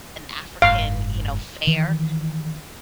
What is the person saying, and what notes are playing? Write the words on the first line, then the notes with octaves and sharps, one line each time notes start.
an African, you know, fare,
F#1 G#2 F5
D#3 E3